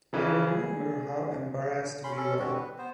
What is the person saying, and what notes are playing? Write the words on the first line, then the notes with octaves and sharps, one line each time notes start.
I remember how embarrassed we were.
C#3 E3 F3
G#4
C#4 B5 C6
C#4 A4
C4 D4 F#4 G4
B4
B3 C5